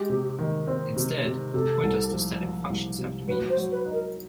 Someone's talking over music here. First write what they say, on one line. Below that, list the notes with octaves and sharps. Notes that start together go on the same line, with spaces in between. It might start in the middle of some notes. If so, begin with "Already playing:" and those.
Instead, pointers to static functions have to be used.
Already playing: G#3 G4
C3
D#3
C4
C3
C3
C3 A4
C2
F3
F3
C2
C3
F#3 B4
C5
F#3
B4
D#4
A#4